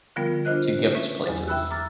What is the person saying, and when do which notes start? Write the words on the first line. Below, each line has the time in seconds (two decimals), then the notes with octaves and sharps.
to get to places.
0.16 D3 F3 G3 B3 F4 A#4
0.45 D4 F4 C5 D#5 F#6
0.95 C#4 B4 E5
1.26 E2 F#3
1.47 E5 G5 B5 E6 F#6
1.70 A#5 D6 E6 F6 A6